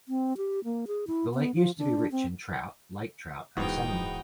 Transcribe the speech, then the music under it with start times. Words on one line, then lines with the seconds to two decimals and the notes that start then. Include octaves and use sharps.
The lake used to be rich in trout, lake trout and salmon.
0.09 C4
0.37 G4
0.64 A#3
0.87 G#4
1.07 E4
1.34 B3
1.55 F3
1.78 D4
2.12 C4
3.57 D1 E2 G#2 B3 D#4 F#4 G5